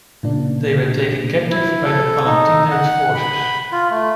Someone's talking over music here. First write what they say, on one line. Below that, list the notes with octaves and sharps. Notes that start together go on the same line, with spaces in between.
They were taken captive by the Palatinate forces.
A#2 C#3 A#3 D4
E4
A4
D#4
F#5
B5
F4
A3